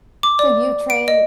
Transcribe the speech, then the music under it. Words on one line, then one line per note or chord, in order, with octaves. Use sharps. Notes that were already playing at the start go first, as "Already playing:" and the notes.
So, you train
D6
D5
D7
D#5